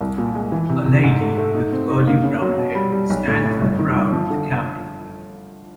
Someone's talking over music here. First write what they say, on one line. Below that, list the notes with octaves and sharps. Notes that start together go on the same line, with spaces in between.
A lady with curly brown hair stands in a crowd with a camera.
C2
A#2
G#3
E3
C3
C3
G#2
A3
A3
D#4
C4
D#4
A#3
C#3
F#3
B2
G3
G3
B1
A2
A2
G1
D#3
G1
F3
D3